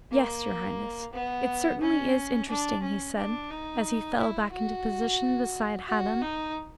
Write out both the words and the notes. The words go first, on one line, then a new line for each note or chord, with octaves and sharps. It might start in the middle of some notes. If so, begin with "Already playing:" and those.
"Yes, your highness, it certainly is interesting," he said, as he fell back into position beside Haddan.
A#3
B3
C#4
D4
C#4
D4
D#4
E4
F#4
F#4
D#4